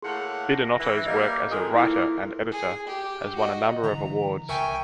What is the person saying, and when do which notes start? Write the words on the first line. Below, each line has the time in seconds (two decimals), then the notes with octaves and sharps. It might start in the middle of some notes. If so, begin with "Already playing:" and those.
Bidinotto's work as a writer and editor has won a number of awards.
0.02 A2 A#3 G#4 F#5 C6
0.54 A#6
0.79 E3
1.07 G3 A#3 D#5 F6
1.50 F2 D#3 G#3 A4 A#4
1.74 A#2 E3 A#3 E4
2.52 G#4
2.87 G4
3.36 F#4 D#5
3.83 D3 E3 A#5
4.49 C2 A#4 E5 G5 G#5 C#6